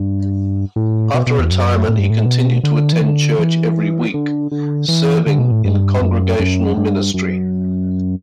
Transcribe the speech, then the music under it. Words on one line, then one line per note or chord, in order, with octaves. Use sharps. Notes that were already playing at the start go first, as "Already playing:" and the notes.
After retirement, he continued to attend church every week, serving in congregational ministry.
Already playing: G2
A2
B2
B2
E2
F#2
A2
G2
A2
B2
D3
E3
D3
E3
D3
D3
E3
D3
B2
A2
G2
F#2
F#2
G2
F#2